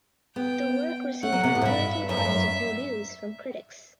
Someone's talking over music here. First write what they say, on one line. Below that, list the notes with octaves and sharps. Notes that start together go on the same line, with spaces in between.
The work received moderately positive reviews from critics.
B3 G5
A3 F#5
F#3
C3
A2
F#2
G2 E5
F#2 E5
G2
F#2